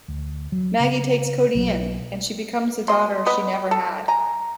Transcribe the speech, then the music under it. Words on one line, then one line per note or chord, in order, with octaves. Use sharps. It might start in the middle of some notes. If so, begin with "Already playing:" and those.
Maggie takes Cody in, and she becomes the daughter she never had.
D2
F#3
C#3
B1 F#3
B2 D#5 C6
B3 B4 D#5
A4
G#5 A#5